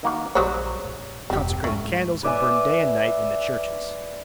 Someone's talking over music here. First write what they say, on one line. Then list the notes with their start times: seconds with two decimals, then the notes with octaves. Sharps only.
Consecrated candles had burned day and night in the churches.
0.03 D#3 A#3 F#4
0.35 A#1 D#2 F#3 G3 F#4 G#4 C5 C#5
0.84 A#2
1.30 E1 G2 C4 G4
1.64 C#2 G#2 A3 C#4
2.23 B4 D5 E5 G#5